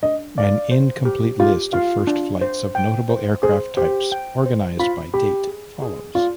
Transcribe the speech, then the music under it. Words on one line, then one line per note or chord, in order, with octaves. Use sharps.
An incomplete list of first flights of notable aircraft types, organized by date, follows.
D4 D#5
D5 F5
C5
G4
F4 G4
F4 F5
D4
C5
G5
C5
G#4 C5
G4 C5
G5
C5
F4 B5
G4 B5
G#4
G#4
F4 D5